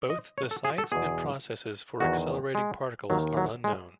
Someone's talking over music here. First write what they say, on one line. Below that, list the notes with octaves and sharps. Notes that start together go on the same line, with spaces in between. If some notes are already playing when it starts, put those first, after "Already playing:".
Both the sites and processes for accelerating particles are unknown.
D#5
C#5
A4
G#4
A4
E2 B2 G#4
E2 D#3 F#4
G#3
D#2 D#3 F#3
F#3
G#3